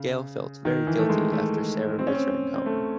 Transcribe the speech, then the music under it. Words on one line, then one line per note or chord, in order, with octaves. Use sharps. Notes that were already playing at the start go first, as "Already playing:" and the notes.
Gail felt very guilty after Sarah returned home.
Already playing: C#3
D#3
E3
A3
G#3
A3
C4
C#4
C4
C4
A3